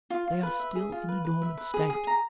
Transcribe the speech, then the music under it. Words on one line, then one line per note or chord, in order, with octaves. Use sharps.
They are still in a dormant state.
F4
F4
B4
E5
G#4
F4
B4
B4
E5
B4
G#4
G#4
A#5